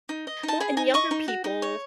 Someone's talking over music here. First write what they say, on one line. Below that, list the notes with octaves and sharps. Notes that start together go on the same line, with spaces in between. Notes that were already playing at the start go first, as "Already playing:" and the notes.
Well, and younger people,
D#4
D#5
D#4
A5
G#4 B5
D#4 G#5
D#5 C#6
D#4
F#4
D#4
C#5